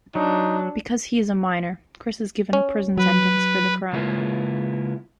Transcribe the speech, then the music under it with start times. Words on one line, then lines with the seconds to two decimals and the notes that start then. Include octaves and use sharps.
Because he is a minor, Chris is given a prison sentence for the crime.
0.15 F#3 D4 D#4
2.53 C#4
2.98 F#3 B4
3.93 C#3 G#3 A#3 B3 E4 F4